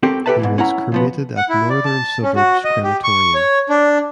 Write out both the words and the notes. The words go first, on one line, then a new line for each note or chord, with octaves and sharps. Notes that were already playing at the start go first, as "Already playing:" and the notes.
He was cremated at Northern Suburbs crematorium.
C4 F#4 G4 A4 A#4
G4 A4 B4 E5 A5
G#2 B2 E3
C#4 E4 F#5 A#5
C#3 F3 B3
F#5
E4
D5
A5
C#4
F#4
D#5
G4
C#6
C#5
D4